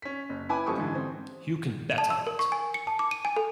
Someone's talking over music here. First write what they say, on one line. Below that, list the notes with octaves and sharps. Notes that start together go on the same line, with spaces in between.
You can bet on it!
C#4 B6
F#1
E4 B4 G#5 B5 D6
F#1 F3 G3 A4 C#6 D#6
G#2 D3 E3
C4
A5
E6
A#4
C#6
G#5
C#7
A5
D6
D#7
G#5
A4